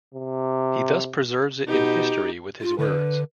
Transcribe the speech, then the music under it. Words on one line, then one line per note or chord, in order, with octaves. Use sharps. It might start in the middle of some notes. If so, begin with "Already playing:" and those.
He thus preserves it in history with his words.
C3
B2 D#4 G4
F4
D3 B4